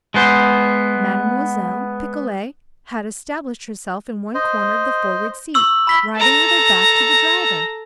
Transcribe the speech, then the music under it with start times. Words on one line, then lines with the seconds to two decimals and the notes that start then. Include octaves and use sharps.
Mademoiselle Picolet had established herself in one corner of the forward seat, riding with her back to the driver.
0.14 G#3 B3 C5
4.35 C5 D#5
5.54 C#6 E6 F#7
5.87 B5 E6 B6 G7
6.16 A4 A#5